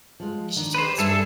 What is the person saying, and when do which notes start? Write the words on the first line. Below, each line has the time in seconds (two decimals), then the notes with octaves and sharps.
Is she too old school?
0.20 F3 G#3
0.56 D#3 D4
0.74 B4 C5
0.98 G2 G3 D4 G#4 A4 E5